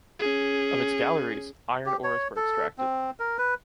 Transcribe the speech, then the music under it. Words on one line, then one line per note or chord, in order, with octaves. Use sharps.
Of its galleries, iron ores were extracted.
C#4 G#4
G4
C#5
A4
C4
A#4
B4